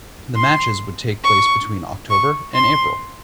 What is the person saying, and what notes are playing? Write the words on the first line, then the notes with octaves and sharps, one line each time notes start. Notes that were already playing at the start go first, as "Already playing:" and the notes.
The matches would take place between October and April.
C6
C#6
C#6
C6